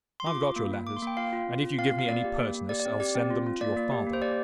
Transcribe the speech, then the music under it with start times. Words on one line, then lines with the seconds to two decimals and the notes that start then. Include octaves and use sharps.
I've got your letters, and if you give me any pertness I'll send them to your father.
0.20 C6
0.26 F4 D6
0.42 F4
0.56 A#3
0.72 A#3
0.87 A#3 D6
0.97 C6
1.02 A#3 G5
1.17 F4 F5
1.33 F4
1.47 C4
1.64 F4
1.78 C4 F5
1.93 F4
1.99 F5
2.08 A#3 D5
2.24 G4
2.39 A#3
2.55 A#3
2.69 G4 D5
2.80 D5
2.85 C4
3.00 G4 D5
3.15 C4
3.30 F4
3.46 F4
3.61 A#3 D5
3.77 A#3
3.92 G4
4.07 A#3
4.13 C5
4.21 G4 D5